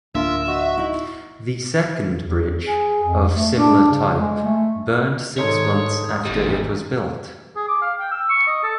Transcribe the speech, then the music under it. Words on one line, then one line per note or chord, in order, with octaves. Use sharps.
The second bridge, of similar type, burned six months after it was built.
D1 A#3 D4 F4 A#4 E5
F#4 D#5
D#4 E4
E2
G#4
F2
A3
D4
C#3
G#3
A3
G#2 D#3 D#4 A4 C5 C#5
G#1 E2 G3 A3
G#4
D6
F5
G5
E6
C#6
D#5
A4